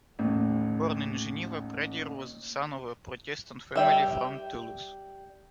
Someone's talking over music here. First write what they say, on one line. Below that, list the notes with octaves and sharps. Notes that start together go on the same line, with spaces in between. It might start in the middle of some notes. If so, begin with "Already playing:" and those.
Born in Geneva, Pradier was the son of a Protestant family from Toulouse.
A1 D#2
G3 E5 G5